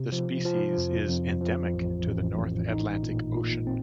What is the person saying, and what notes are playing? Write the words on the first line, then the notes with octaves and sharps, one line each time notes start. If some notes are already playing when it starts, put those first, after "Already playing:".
The species is endemic to the North Atlantic Ocean.
Already playing: C3
F3
F3
F2
F2
F3
A1
A1
A1
D#4
A#2
A#2
C4